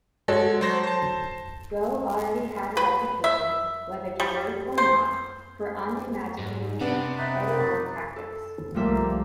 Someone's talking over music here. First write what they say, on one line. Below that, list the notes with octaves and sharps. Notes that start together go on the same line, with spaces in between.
Gough already had a reputation, whether deserved or not, for unimaginative head-on tactics.
G#3 F#4 A4 C#5
F#3 C5 A#6
C5 A5
B4
E5
G3
C5
G#2
C3 B3 D4 B4
D#4 B4 D5 E5
A#4
A4
C2 F3 G3 A3 A#3 E5